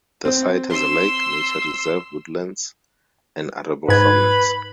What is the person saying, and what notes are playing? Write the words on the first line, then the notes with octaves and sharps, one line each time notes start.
The site has a lake, nature reserve, woodlands and arable farmlands.
C4
C6 E6
G#2 B4 B5 G#6